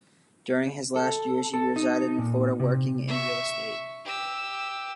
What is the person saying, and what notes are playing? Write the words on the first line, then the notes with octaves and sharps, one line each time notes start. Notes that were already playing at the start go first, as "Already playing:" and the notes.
During his last years he resided in Florida, working in real estate.
A4
A4
D#4
A#2
C3
E5 C#6
G4 E6